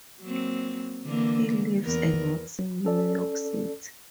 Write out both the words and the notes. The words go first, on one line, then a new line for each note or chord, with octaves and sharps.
He lives and works in New York City.
F#3 A#3 C4
D3 E3 A#3
E2 B3 A#4
C#4 A4 D5